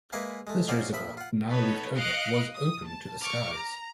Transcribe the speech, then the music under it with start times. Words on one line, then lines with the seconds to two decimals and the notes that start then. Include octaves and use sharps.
This reservoir, now roofed over, was open to the skies.
0.13 G#3 A#3 E4 B4 F5 G#5
0.47 G#3 A3
0.68 C#4 D#4 F4 F#4 C5 D5
0.93 A#1 F3 E5 B5 D#6
1.17 F4 F#5
1.51 B3 D#4 A4 B4 C#5
1.96 D#5 F5 F#6 C#7 D7
2.55 D#6
2.87 A5
3.21 C#6 D6 F6
3.56 A#5